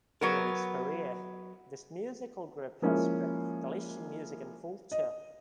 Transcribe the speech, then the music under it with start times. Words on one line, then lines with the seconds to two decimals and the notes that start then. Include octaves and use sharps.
During its career, this musical group has spread Galician music and culture.
0.21 F#3 B3 A#4
2.82 F3 G#3 A#3 C#4 E4 F4
4.92 D#5